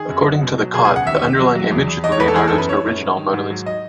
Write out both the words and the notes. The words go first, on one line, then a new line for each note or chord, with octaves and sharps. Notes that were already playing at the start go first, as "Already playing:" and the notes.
According to Cotte, the underlying image is Leonardo's original Mona Lisa.
Already playing: D#3 G#4
F#2
F#3
B2
F#3
B2 G#4
G#4
C#2
F#5
D#2 E5
D#2
F#3
F#3
E2
E2
E2 D#5
C#5
E2 B4
A4
E3 G#4
A4
F#2
B4
E3 C#5
F#2
G#2
D#3
G#2
F#3
D#5